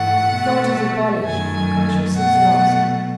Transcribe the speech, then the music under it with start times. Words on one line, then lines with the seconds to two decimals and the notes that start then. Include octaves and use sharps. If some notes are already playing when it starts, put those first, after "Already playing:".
Thought is abolished, consciousness lost.
Already playing: G#2 E3 A3 F#5
0.32 B2 A3
1.23 F#2 D#3 F#3 A3 G#5
2.14 B2 F#3 A3 F#5